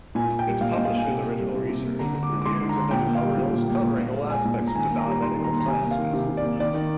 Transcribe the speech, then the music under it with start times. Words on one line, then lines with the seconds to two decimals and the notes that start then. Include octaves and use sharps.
It publishes original research, reviews, and editorials covering all aspects of the biomedical sciences.
0.15 A#2 G#5
0.31 A#3
0.39 G5
0.47 G3
0.61 A#2 F5
0.73 A#2 D#5
0.85 F5
0.93 A#3 G#5
1.08 C3
1.23 A#3
1.39 G3
1.54 C3
1.70 C3
1.84 A#3
1.99 D3 A#5
2.14 D3
2.23 D6
2.30 G#3
2.42 D6
2.46 G#3 C6
2.61 D3
2.69 A#5
2.76 D3
2.91 A#2 G5
3.07 A#3
3.15 F5
3.23 G3
3.37 A#2
3.53 A#2
3.68 A#3
3.83 A#2
3.98 A#2
4.14 G#3
4.30 G#3 G#5
4.45 A#2
4.61 A#2
4.67 A#5
4.75 D#3 G#5
4.91 A#3
4.99 A#5
5.06 G3
5.11 A#5
5.22 D#3 C6
5.37 D#3
5.44 A#5
5.53 A#3
5.60 A#5
5.68 C3 G#5
5.83 A#3
5.91 F5
5.99 D#3
6.13 C3
6.29 C3
6.37 D5
6.44 A#3
6.60 D#3 D5
6.75 D#3